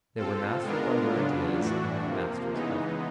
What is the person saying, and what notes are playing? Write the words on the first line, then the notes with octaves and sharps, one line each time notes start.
They were mastered by their ideas and not masters of them.
C4 F4 A4
G#3 B3 D4 F4 A#4
C#3 F#3 B3 D4 F4
A2 E3 A3 D4 F#4
C3 F3 A#3
C#3 E3 G#3 B3 D#4